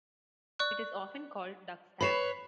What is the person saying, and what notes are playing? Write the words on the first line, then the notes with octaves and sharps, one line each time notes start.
It is often called Duck Stab!
D5 C#6 F#6
B4 C#5 B5 C7 E7